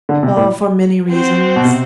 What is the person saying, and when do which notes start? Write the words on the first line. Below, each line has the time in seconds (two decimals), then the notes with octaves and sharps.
"For many reasons."
0.09 D3
0.23 C3
0.37 A2
1.08 C4 F#4 C5
1.56 B2
1.65 C3